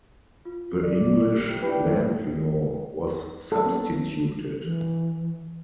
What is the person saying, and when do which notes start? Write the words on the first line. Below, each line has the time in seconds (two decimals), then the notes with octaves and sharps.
The English land law was substituted.
0.45 F4
0.83 D5
1.33 F2 C3 G4
1.63 D4 E4 B4 G5
3.52 A4
3.66 A#3 B3 C#4
4.63 E3